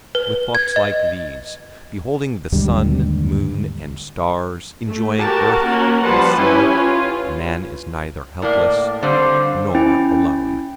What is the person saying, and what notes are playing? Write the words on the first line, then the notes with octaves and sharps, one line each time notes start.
With thoughts like these, beholding the Sun, Moon, and Stars, enjoying earth and sea, a man is neither helpless nor alone!
B4
G#6
D#5
D#2 G#2 D3 G3
A3
F#4 G4 A#4 A5
A#3 C#4 F#4 A#4
F3 G3 B4 F#5 A5 C6
C#4 E4 G4 B4 G#5
F4
A2 A#3 D5
D3 G3 C4 C5 F5
C#4 E4 G5